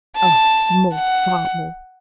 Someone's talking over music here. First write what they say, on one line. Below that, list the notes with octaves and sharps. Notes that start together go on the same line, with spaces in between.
Oh, more--far more!
A5
F#5